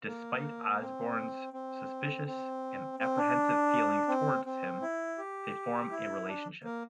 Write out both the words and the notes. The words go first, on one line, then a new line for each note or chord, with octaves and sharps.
Despite Osborne's suspicious and apprehensive feelings towards him, they form a relationship.
A#3
C4
C4
C4
C4
D4
C4
C4
E4
G4
E4
D4
A#3